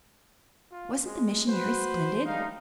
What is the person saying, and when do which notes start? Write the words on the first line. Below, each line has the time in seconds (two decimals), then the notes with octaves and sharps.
Wasn't the missionary splendid?
0.72 F4
1.05 G#3
1.47 F#4 B4 C5
2.26 G3 A3 D#4 F5